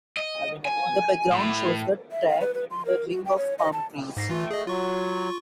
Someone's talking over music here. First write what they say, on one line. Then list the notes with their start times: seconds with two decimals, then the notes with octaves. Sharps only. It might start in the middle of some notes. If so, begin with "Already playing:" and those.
The background shows the track and a ring of palm trees.
0.17 D#5
0.65 G#5
1.32 A2
2.11 E5
2.28 F5
2.41 B4
2.54 B4
2.70 C6
2.86 A#4
3.11 F#4
3.25 G5
3.37 C#5
3.59 D#5
3.73 A5
4.17 G#2 A#6 C7
4.30 E3 A3 F4
4.51 G#4 D#5
4.66 F#3 F4 C#6